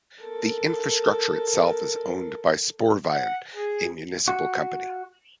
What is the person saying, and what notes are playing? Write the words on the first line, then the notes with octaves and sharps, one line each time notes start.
The infrastructure itself is owned by Sporveien, a municipal company.
A4 A#4
F#5
G#4
F#4